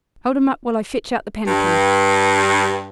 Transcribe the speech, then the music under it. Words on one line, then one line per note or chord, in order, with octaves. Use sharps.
'Hold him up while I fetch out the pannikin.
G2